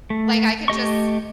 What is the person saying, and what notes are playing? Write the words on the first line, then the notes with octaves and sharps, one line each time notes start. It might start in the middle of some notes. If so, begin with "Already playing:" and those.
like, I can just,
A3
A3 G4 D#5 C#6